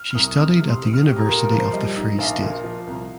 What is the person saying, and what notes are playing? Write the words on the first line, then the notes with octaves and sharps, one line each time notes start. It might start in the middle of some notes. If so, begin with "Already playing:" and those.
She studied at the University of the Free State.
Already playing: F6
F6
C2 D#6
C2 F6
D#6
C3
C6
C4 D#6
F6
G4 D#6
A#5
A#2 A#4
A#4
F3
C5
G3 D#5
D#4
A#1 F5
A#2
F3
C2